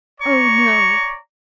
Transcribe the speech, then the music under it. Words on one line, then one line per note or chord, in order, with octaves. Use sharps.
"Oh, no!"
C#5 D5 A#5 C#6